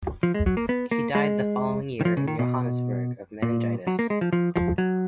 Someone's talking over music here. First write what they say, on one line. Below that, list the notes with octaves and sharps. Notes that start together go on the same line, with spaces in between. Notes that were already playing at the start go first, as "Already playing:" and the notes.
He died the following year in Johannesburg of meningitis.
F3
G#3
F#3
A#3
B3
A#3
G#3
D#3
F3
C#3
D#3
B2
A#2
F#3
A#3
G#3
F3
F3
F3
F#3